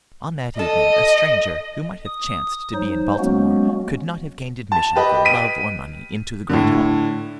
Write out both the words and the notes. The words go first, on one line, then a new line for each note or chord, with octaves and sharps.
On that evening a stranger who might have chanced to be in Baltimore could not have gained admission for love or money into the great hall.
A4 D#5
D#6
F#3 D#4 C5
F#3 G#3 A#3 B3 C#4 F#4
A5
G4 B4 D#5
B6 D#7
A2 D3